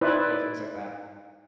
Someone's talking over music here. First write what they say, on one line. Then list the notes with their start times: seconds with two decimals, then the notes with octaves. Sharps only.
You know, things like that.
0.01 D#4 E4 B4 C5 D5 E5